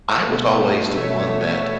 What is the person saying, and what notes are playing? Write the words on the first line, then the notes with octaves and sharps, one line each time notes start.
I was always the one that
B2 A3
B2 A3 C#5 E5